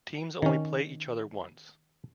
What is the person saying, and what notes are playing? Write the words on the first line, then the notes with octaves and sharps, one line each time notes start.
Teams only play each other once.
D#3 C#4